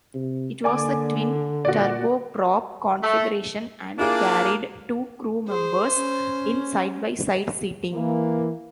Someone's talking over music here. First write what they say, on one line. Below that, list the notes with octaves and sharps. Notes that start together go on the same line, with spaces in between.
It was a twin turboprop configuration, and carried two crew members in side-by-side seating.
C3
D3 A#3 D5 G#5 D6
A#2 F#4 D5
A3
A#3 D4 E4 F4 G#4
G#4 C5
C#4
E3 A#3